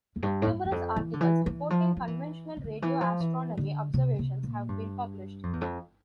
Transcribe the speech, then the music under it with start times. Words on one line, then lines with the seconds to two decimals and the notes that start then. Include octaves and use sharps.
Numerous articles reporting conventional radio astronomy observations have been published.
0.16 F2
0.23 G2
0.42 A2
0.46 G2
0.65 E2
0.72 F2
0.96 E3
1.13 D3
1.21 E3
1.46 E3
1.70 F3
1.97 F3
2.08 E3
2.57 C3
2.64 D3
2.82 E3
3.01 F3
3.20 E3
3.58 D3
3.94 C3
4.19 C3
4.43 A#2
4.69 G2
5.43 F2
5.53 E2
5.61 F2